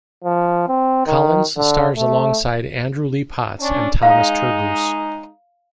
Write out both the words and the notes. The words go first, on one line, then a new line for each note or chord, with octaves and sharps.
Collins stars alongside Andrew Lee Potts and Thomas Turgoose.
F3
C4
D#3
D3
A3
C#4 D4
G#3 D#4 F5